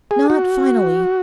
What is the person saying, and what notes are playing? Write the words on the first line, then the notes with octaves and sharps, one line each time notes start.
'Not finally.
G#4
F#4